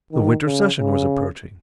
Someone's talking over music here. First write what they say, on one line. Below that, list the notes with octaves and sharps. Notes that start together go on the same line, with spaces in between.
The winter session was approaching.
D#3
C#3
C#3